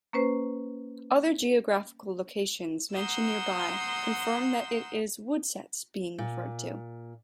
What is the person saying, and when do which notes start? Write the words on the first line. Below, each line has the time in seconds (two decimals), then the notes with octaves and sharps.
Other geographical locations mentioned nearby confirm that it is Woodsetts being referred to.
0.13 A#3 C#4 B4 C5
2.94 F#5 A#5 C6 D#6 E6 G6
6.18 A#2